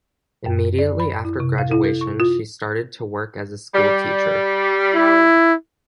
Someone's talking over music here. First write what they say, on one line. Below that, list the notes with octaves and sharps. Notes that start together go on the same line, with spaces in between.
Immediately after graduation, she started to work as a school teacher.
F#2
D5
B5
E4
C3
F5
E4
A4
C#6
F4
G3
E4